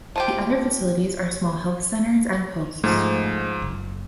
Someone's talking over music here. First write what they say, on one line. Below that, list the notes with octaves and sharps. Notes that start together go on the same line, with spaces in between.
The other facilities are small health centers and posts.
F3 F4 G4
G#2 F3 A3
F#1